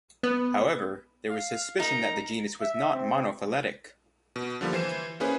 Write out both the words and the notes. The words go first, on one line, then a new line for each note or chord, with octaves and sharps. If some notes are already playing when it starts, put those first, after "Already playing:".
However there was suspicion that the genus was not monophyletic.
B3
F5
D#4 A#4 A#5
E5
C4
B2
D3 F3 G3 A#3
E3 C5 C7 E7
A#3 C#4 E4 G#4 B4 C5